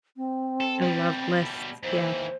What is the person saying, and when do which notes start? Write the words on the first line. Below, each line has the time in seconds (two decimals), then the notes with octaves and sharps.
I love lists. Yeah.
0.17 C4
0.61 A4
0.82 B2 G3
1.83 D#2 E3 C5